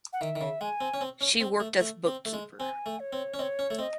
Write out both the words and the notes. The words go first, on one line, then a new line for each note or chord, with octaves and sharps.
She worked as bookkeeper.
F#5
D#3 E5
D#3
C#3
G#3 G#5
C4
C#4
C4
C#4
C4
A3
A3
C4
A3
G#3
C4 G#5
A3
C#5
C4
C#4
C4 D#5
C#5
C#4
A3
C4 D#5